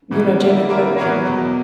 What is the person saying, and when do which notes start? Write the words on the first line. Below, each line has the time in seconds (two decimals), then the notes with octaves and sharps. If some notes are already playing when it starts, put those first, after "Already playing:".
you know, gym equipment.
0.11 E2 C#3 E3
0.40 D3 A#3 E4
0.69 D3 G3 A#3 E4 A#4
0.98 E3 B3 F#4 A#4 C#5
1.26 E2 B2 F#3